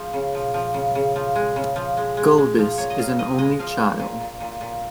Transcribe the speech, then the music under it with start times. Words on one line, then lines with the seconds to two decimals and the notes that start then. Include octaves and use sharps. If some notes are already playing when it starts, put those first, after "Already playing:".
Gulbis is an only child.
Already playing: F3 G#3
0.13 C#3
0.35 F3
0.54 F3
0.74 C#3
0.95 C#3
1.16 F3
1.36 G#3
1.56 C#3
1.76 F3
1.97 G#3
2.17 G#3
2.38 G#3
2.58 F3
2.78 A#2 C#5
2.90 D#5
2.99 A#2 F5
3.19 F3 D#5
3.38 G#3 D#5
3.59 F3 F5
3.79 A#2
4.00 A#2
4.20 A#2
4.40 A#2
4.61 A#2